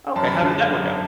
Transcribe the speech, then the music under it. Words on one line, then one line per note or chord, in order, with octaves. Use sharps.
Okay, how did that work out?
F#2 A5
B5
D3 A5
F#2